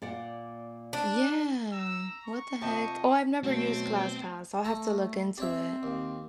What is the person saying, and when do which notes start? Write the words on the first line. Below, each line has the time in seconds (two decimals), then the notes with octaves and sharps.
yeah, what the heck? Oh, I've never used ClassPass. I'll have to look into it.
0.02 A#2 D5 F#5
0.93 D4
1.73 A#5 E6
2.25 C#6
2.62 F2 C3 D#5 A5
3.43 B2 F#3 A3 C4
4.65 A3 A4 A#5
5.38 C4 G4 C#5 E5
5.83 D#2